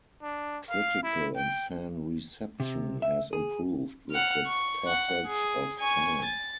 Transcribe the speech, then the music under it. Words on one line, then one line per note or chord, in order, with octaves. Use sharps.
Critical and fan reception has improved with the passage of time.
D4
F5
E4
G5
C3
E5
G#4
F#5 F6
C#6
F#5
G#4
G#5 C#6
A6